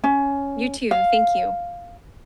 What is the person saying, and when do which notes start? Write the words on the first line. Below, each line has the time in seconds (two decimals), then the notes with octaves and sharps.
You too. Thank you.
0.04 C#4
0.91 F5